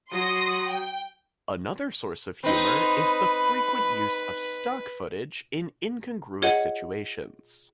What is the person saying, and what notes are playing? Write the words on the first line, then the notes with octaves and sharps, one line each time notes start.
Another source of humour is the frequent use of stock footage in incongruous situations.
F#3 C6 D#6 A#6
G5
C4 D#4 B4 B5
F4 G#4 C#5 D#5 F#5